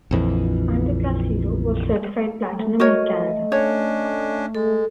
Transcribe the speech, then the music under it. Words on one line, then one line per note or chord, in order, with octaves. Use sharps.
"Underclass Hero" was certified Platinum in Canada.
A#1 F2 E3
A3
F#4 A#4 C#5 D#5
C#4 D4 C#5
G#3 A4